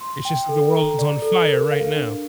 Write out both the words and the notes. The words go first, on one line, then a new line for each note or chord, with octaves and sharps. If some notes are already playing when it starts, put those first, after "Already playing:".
It's just that the world's on fire right now.
C6
G5
A4
A#5
D5
A4
A#4
F5
D4